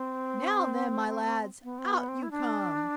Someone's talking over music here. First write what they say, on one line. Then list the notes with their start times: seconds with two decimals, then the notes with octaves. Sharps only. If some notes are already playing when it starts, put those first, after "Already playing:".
"Now then, my lads, out you come!"
Already playing: C4
1.64 B3
1.78 C4
1.86 B3
2.08 C4
2.23 E4
2.31 D4